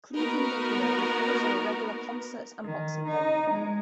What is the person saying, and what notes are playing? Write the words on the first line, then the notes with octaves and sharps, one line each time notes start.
Cleveland Arena was also a regular concert and boxing venue.
A#3 B3 D#4 F#4 A#4 B4
D#3
D#4
G#3